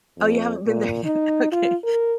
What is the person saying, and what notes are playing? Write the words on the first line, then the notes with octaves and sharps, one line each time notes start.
Oh, you haven't been there yet? Okay,
F2
A#2
D#4
F4
A#4